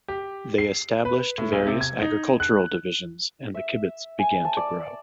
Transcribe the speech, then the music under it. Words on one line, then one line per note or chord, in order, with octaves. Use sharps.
They established various agricultural divisions and the kibbutz began to grow.
G4
C7
B4
A2
B1
C3
G#6
D#4
F#6
E5
G#5
A5
D5